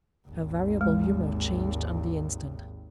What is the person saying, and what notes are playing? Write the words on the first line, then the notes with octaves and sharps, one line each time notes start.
Her variable humor changed on the instant.
G#1 D#2
G#3